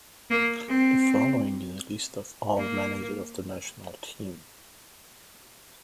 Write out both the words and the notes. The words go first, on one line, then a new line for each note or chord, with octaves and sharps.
The following is a list of all managers of the national team.
A#3
C4
A#3